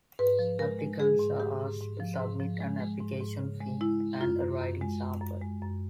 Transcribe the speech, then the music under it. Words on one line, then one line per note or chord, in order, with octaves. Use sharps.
Applicants are asked to submit an application fee and a writing sample.
G#2 B4
F3
G#3 A#4
G#3
G#3 G#4
G#2
G#2 G4
G#2
G#2
F3
G#2
F3
G#3
G#3
G#2
G#2
C#3
G#3
G#3 E4
G#3
F#2 F4
F#2
F#2
G#3
F#2
F#2
G#3
F#2